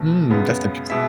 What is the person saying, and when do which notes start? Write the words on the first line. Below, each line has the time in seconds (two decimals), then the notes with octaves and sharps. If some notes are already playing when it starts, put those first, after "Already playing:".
Hmm, that's interesting.
Already playing: B1 B2 A3
0.30 F#2 C#3 G#3 B3
0.90 B2 G#3 B3 E5